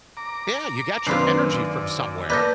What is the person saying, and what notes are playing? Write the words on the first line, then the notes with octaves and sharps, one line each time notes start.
Yeah, you got your energy from somewhere.
A#5 D6
F#2 D#3 A#3 C4 D4 F4 B4 C5
D5
A#3 A4 B4 D5 G6 A#6